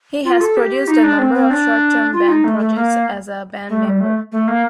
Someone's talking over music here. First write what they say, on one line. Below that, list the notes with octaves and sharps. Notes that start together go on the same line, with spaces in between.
He has produced a number of short-term band projects as a band member.
F4
A4
G4
D#4
D4
C4
C4
D4
F4
D#4
A3
A3
A#3
A3
G3
A3
A3
A#3